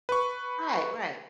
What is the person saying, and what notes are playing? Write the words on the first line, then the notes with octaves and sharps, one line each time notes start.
Right, right.
B4 C#6